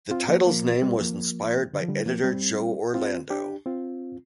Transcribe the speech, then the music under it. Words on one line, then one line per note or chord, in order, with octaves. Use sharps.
The title's name was inspired by editor Joe Orlando.
C4 F4
F3 A#3
F3 A#3
G3 C4
F3 A#3
D3
F3
D3 G3
F3 A#3
G3 C4
C4 F4
D4 G4
C4 F4